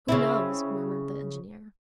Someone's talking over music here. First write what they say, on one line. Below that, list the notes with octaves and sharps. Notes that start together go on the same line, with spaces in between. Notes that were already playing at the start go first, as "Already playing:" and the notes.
"Who knows?" murmured the engineer.
C#3 C4 E4